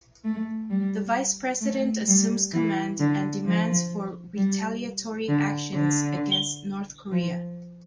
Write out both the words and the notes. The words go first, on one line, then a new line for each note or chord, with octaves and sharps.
The Vice President assumes command and demands for retaliatory actions against North Korea.
A3
G3
A3
G3
E3
D3
F3
G3
D3
D3
F3